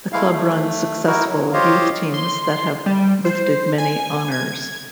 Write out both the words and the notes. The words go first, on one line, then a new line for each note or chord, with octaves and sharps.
The club runs successful youth teams that have lifted many honours.
G#3 A3 E4 F5
A3
D#4 E4 F#4 A#4
F#3
F4 G4 C5 C#5 D#5 F5
C6
G3
C5
G#5
G#6